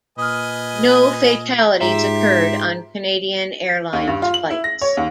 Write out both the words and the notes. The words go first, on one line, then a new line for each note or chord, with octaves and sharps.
No fatalities occurred on Canadian Airlines flights.
A#2 B4 D#5 G#5 D#6 F6
G#2 F4 G4 G#4 E5 A#5 C6
D#2
G2
F4
F#7
E4
A#6
C#5
D#2